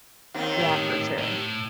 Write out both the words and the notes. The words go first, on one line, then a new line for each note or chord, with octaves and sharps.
Yeah, for sure,
D#2 D#3 C4
A2
A2